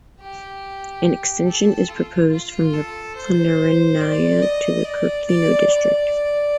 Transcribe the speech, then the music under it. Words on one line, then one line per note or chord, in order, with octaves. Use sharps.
An extension is proposed from the Planernaya to the Kurkino district.
G4
A4
F4
F4
A4
C5
D5
D#5
D5
D5
D5